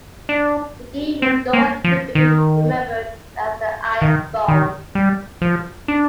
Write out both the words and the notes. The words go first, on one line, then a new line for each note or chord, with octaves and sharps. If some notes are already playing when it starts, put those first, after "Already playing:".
The game would go on to be remembered as the "Ice Bowl".
D4
C4
A#3
F3
D#3
D#3
D#3
G3
F3
D4